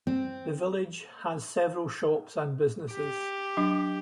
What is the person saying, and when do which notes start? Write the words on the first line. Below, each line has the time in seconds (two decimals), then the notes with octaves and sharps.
The village has several shops and businesses.
0.07 C4
2.93 G4
3.57 F#3 D4